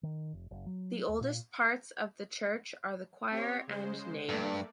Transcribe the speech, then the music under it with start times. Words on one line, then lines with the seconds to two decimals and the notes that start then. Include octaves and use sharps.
The oldest parts of the church are the choir and nave.
0.03 D#3
0.33 F1
0.51 F#1
0.66 F#3
1.08 D#2
1.21 A#2
3.31 C4 G4 C#5
3.67 C#3 G#3 C5
4.29 G2 A3 A#3 D5